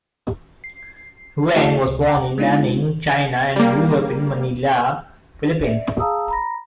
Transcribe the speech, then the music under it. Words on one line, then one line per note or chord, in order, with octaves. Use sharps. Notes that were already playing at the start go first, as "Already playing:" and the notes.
Huang was born in Nanning, China and grew up in Manila, Philippines.
C7
A3 E4 F#4 G#4 D5 A5
C#2 C3
F#5 G5 A#5 D6
G#3 B3 D4 D#4 F4
G3 A#3
D5 E5
G#4 F5 A5 A#5 D#6 E6
A#5 B5 A#6